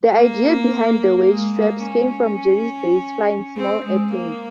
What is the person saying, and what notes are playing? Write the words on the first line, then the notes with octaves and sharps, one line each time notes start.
The idea behind the weight straps came from Jerry's days flying small airplanes.
A#3
G#3
A#3
C#4
C4
G#3
A#3